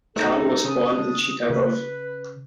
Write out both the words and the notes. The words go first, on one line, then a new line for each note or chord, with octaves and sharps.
Khan was born in Chittagong.
A3 D#4 A4
C#3 D4 D#6
C#3 B4